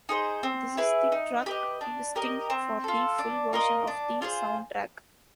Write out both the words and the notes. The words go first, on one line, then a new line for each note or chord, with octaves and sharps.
This is the track listing for the full version of the soundtrack.
D#4 G#4 C5
C4
E4 G#4 B4
D#4
G4 B4 D#5
D4
G4 A#4 D#5
C4
F4 A4
D4
F4 A#4 D#5
D4
F4 G#4 C5